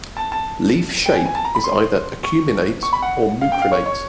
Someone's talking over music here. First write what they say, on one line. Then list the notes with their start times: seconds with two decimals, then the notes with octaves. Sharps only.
Leaf shape is either acuminate or mucronate.
0.17 A5
0.32 A5
1.06 G5
1.15 G#5
1.26 G#5
1.35 A5
1.45 A#5
1.55 B5
1.64 C6
2.24 C#6
2.83 C#6
2.93 B5
3.02 F#5
3.41 F5
3.52 G5
3.62 F5
3.72 C#5
3.86 C#5